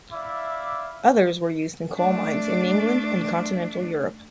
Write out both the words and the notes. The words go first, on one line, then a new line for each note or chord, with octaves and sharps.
Others were used in coal mines in England and continental Europe.
E4 D5 E5 F5 D6
A3 D4